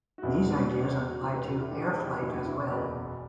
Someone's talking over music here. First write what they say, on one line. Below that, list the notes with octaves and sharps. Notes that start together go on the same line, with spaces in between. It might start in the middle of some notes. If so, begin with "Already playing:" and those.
These ideas apply to air flight as well.
F#4
E1 E2 B2 E4
D4
D4 F#4
E1 E2 B2
F#4
E1 E2 B2 E4 G4
G4 B4
F#4 A4
E4 G4
E1 E2 B2 D4 F#4
E4 G4
F#1 E2 B2 E4 G4
D4 F#4
E4
F#1 E2 B2 B4 D5